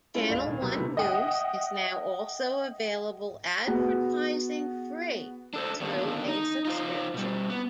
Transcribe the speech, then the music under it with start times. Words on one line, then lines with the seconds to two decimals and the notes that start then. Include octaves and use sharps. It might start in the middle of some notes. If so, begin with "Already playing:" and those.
Channel One News is now also available advertising-free through a subscription.
0.14 G#3 C#4 E4 F4 A4
0.30 D1 G#2 D5 F5 B5 F7
0.46 A#2 D#3
0.61 C3 F#3 A#3
0.74 D3 D#3 F#3 G3 A3 B3
0.97 D#5 E5 F#5 G5 D#6
3.66 B3 F#4 G#4
5.54 D4 A4 C5
5.81 D3 D#3 A#3 B3 D4
6.28 D#4
6.65 D#4 F4 C5
7.14 B2 G3
7.50 B3